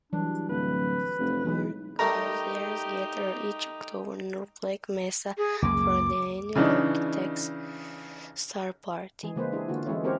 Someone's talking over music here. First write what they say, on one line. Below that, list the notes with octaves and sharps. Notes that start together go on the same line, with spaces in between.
Stargarzers gather each October near Black Mesa for the annual Okie-Tex Star Party.
E3 F#3 G3 D4
D1 B4
F1
B1 E3 G#3
G3 A3 D#4 G4 A#4 A#5
G#4
C#2 F#2 A#3 D6
C#3 E3 D4 D#4
E3 G#3 G#4
C#3 G#3 A#3 B4 C5
D4 E4 G4 G#4
D3 A#3 F4 F#4
E3 G#3 C#4 E4 C#5
C4 F#4 G4 A#4 C5 C#5